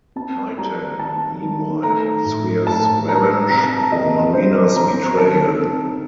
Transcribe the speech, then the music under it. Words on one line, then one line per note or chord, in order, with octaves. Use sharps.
Titan, meanwhile, swears revenge for Marina's betrayal.
C4 A5
G3 A#5
D#3 A5
D#3
A3 A#5
A2
A2 A5
D4 A#5
C3 A#5
A5
A#5
C3 D#5
G3 C5
C3 A#5
D#3 A5
C4